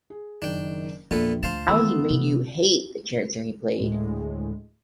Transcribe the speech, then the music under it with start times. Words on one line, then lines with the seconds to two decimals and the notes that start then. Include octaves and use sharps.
How he made you hate the character he played!
0.10 G#4
0.42 F#1 D#3 D4 G5
1.11 A#1 E2 A#2 A4 B4
1.43 D2 F4 C5 F5 A5
1.68 D#3 E3 A3 B3 B5 E6
2.11 C3
3.79 D2 A2 G#3